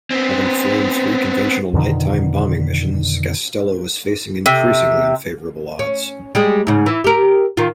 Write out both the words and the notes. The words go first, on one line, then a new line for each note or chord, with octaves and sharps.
Having flown three conventional night-time bombing missions, Gastello was facing increasingly unfavorable odds.
B3 C4
F2 B2 D3 D#3
C3
C#4
G3 G#3 G#4
G#2 C#3
E3
G4 A#4
D#3 F4